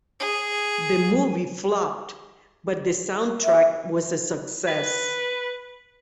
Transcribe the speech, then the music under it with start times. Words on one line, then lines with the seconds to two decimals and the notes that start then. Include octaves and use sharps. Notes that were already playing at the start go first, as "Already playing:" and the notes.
The movie flopped but the soundtrack was a success.
0.20 G#4
3.44 E5
4.67 B4